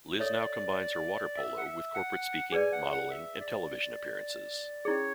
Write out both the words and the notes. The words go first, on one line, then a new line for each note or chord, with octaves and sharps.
Liz now combines her water polo with corporate speaking, modelling and television appearances.
A4 C#5 D5 E5
E5
F#5
E5
F#5
G#4 B4 D5 G#5
F#5
F#5
E5
D5
C#4 E4 G#4 C#5